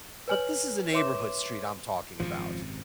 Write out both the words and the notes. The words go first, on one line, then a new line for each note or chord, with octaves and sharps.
but this is a neighborhood street I'm talking about,
B4 C#5 G#5 F6 F#7
B4 C#5 E5 C6 D6 E7
G#1 F#2 C3 F3